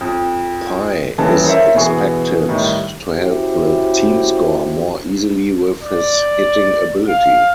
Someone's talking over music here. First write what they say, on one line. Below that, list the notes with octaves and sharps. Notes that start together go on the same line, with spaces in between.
Pie is expected to help the team score more easily with his hitting ability.
F2
D#1 C#3 E3 A5
A#4 C5 C#5 E5
B2 E3 G#4 C#6
A2 D#3 G3
C#4 E4 F#4 G4 A4 C5
D5
F5